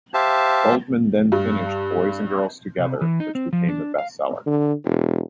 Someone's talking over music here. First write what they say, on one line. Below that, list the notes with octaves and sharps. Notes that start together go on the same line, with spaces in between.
Goldman then finished "Boys and Girls Together" which became a best seller.
G4 C5 E5 F5 A5
G2
C3
E3
D#4
C4
F3
D4
F5
D3
E1